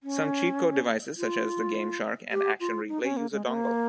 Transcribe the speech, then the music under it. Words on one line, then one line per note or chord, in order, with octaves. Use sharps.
Some cheat code devices, such as the GameShark and Action Replay use a dongle.
C#4
F4
G4
F4
D#4
C#4
A#3
G#3
A#3